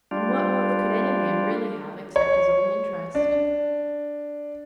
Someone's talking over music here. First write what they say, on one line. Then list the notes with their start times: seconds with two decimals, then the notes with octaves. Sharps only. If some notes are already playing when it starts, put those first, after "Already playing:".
And what motive could any man really have, except his own interest?
0.11 G3 D4 F4
2.16 C#5
3.15 D4